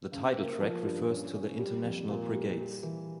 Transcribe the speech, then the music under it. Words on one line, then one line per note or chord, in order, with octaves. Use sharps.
The title track refers to the International Brigades.
C#3
A#3
F3
G2
C#4
C#4
G3
F2
A#2
G3
G3
E3